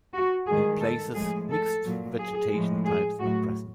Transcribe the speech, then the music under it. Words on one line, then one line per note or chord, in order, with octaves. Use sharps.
In places mixed vegetation types are present.
F#4
G2 D#3 G#3 G#4
A4
A2 F3 G#3 G#4
A4
A#2 F#3
G#4
A2 F3 G#3
G#4
A2 F#3 F#4